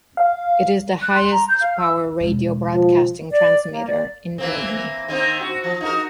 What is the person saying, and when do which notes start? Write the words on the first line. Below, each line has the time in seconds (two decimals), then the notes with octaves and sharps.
It is the highest power radio broadcasting transmitter in Germany.
0.17 F5
1.02 F#6
1.15 C6
1.31 A#5
1.49 G6
1.61 F5
1.78 E6
2.20 E1 C#3
2.73 F3
3.31 D5
3.71 A#3
3.86 D5
4.38 E3 A#3 C4
5.08 D#3 A#3 C4
5.41 F#4
5.64 F3
5.81 D#4 F#4 A#4